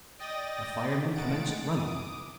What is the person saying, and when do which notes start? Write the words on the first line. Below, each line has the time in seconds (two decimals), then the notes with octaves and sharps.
A fireman commenced running.
0.19 D5 D#5 G5 D#6 A6 A#6
1.14 A2 D#3 G#3 F#5 A6 D7
1.72 D6 D#6